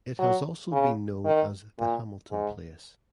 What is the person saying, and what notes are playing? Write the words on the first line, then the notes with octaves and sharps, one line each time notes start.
It has also been known as The Hamilton Place.
F#3
C#3
D#3
A#2
G#2